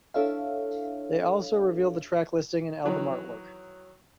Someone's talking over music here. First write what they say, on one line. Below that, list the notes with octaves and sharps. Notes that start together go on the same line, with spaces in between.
They also revealed the track listing and album artwork.
D4 E4 A4 C#5 E5 F5
D#3 E3 F#3